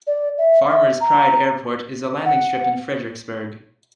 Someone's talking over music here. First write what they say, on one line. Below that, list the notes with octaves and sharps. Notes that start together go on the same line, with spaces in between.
Farmers Pride Airport is a landing strip in Fredericksburg.
D5
E5
E5
A#5
F#5